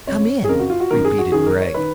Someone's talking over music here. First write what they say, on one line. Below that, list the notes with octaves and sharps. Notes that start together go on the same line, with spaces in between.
"Come in," repeated Gregg.
F2 C#3 C#5
G#4
F2 C#3 A#4
F#4
F4
F#4
F#2 D#3 A#4
G#4
F#4
F#2 D#3 G#4
A#4
C#5
D#3 B4